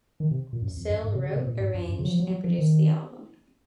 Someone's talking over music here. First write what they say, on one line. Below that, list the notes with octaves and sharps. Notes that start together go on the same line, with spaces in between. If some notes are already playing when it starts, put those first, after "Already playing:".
Sill wrote, arranged, and produced the album.
D#3
C3
A#2
F#2
F2
F#2
G#2
C3
C#3
C3
A#2
G#2
F#2
F#2
C#3
F#3
F3
F#3
F#3
F3
D#3